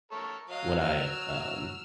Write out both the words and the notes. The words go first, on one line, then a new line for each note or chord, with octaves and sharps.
when I um
A4 A#4 C#5
F#3 D#5 F5
E6 F6